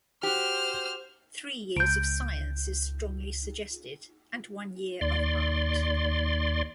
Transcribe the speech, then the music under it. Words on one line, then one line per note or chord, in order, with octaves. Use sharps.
Three years of science is strongly suggested, and one year of art.
F#4 G4 C5 F6
C#2 G6 D7
D#2 D5 C6